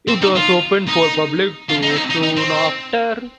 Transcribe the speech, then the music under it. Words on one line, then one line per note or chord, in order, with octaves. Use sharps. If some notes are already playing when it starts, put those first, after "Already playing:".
It was opened for public tours soon after.
C4
D#4
F4
D#4
F4
D#4
C4
D#4
D#4
D#4
C4